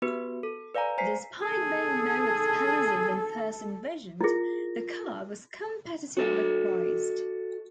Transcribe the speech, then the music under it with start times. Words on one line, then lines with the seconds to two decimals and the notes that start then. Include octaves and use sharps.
Despite being more expensive than first envisioned, the car was competitively priced.
0.02 B3 F#4 G4 B4
0.43 A4
0.75 B4 D5 F5 G#5 A#5
0.98 C5 G#5 A#5 B6 C7
1.42 G#4 A4
4.21 E4 F4 G#4 A#4 A#6
6.17 F#4 A4 D#5